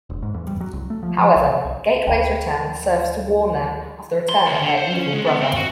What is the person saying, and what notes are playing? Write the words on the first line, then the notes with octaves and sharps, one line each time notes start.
However, Gateway's return serves to warn them of the return of their evil brother.
E1
G#2
E2
G3
F#3
C2
A3
F3
F3
B1
C3
C2
D2 G5 A5 B5
C6
D#2
D3
C5
C#4
G#3
B3
C4
F#4